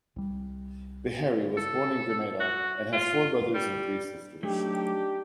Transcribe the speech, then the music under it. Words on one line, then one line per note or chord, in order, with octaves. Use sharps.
Beharry was born in Grenada, and has four brothers and three sisters.
C2 G3
A4
F#4
F4
G3
F#3 A3 D4 D#4 G4